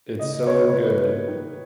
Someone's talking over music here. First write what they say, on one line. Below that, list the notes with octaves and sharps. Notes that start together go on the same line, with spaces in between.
it's so good.
C#3 D#5
C#3 C#5
C#5
E4 B4
A#3
D#3